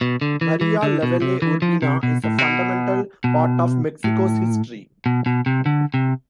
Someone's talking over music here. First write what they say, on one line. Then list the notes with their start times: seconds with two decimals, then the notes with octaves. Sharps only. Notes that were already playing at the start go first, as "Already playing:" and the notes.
Maria Lavalle Urbina is a fundamental part of Mexico's history.
0.01 B2
0.21 D3
0.41 E3
0.61 E3
0.83 D3
1.03 B2
1.22 C3
1.42 E3
1.62 F3
1.82 C3
2.03 B2
2.24 A2
2.38 C3
2.43 B2
3.24 B2
4.04 A2
5.06 B2
5.26 B2
5.46 C3
5.66 D3
5.94 C3